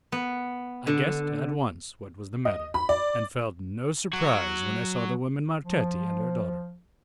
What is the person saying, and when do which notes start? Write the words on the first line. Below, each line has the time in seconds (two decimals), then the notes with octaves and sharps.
I guessed at once what was the matter, and felt no surprise when I saw the woman Marchetti and her daughter.
0.12 B3
0.87 D3
2.45 D#5
2.74 B5
2.89 D5
4.13 F#3 F#4
5.65 F3